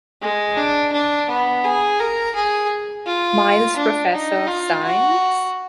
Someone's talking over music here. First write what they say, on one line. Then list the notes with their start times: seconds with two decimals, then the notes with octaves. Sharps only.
Miles Professor of Science.
0.22 G#3
0.57 D4
0.92 D4
1.29 B3
1.64 G#4
1.99 A#4
2.35 G#4
3.06 F4
3.77 D4
4.13 D#4
4.47 F4
4.83 F#4